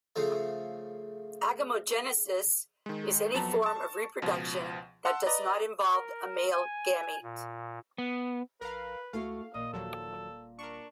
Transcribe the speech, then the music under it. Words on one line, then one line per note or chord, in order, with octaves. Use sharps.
Agamogenesis is any form of reproduction that does not involve a male gamete.
C#3 F3 A3
D#3 G#3
F2 F#3 B3 A5 A#5
A5 C#6
C#2 B2 F3
F#5 A5 C6 E6
B4 D5 D#5 A#5
A#4
G#5
A#2
B3
A#1 A#4 B4 F5
C#2 A3 E4 F#4 F5
A1 A#2 D#5
D#1 D#2 F3 F#3 A4
D4 A#4 C#6